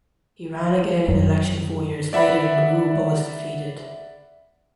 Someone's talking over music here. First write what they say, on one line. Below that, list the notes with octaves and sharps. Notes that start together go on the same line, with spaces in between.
He ran again in the election four years later in Groulx but was defeated.
F#2
D5 E5 F#5 B5